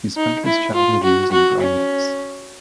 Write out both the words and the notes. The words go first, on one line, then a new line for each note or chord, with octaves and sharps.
He spent his childhood years in Grojec.
D#4
E4
F4
F#4
F#4
C#4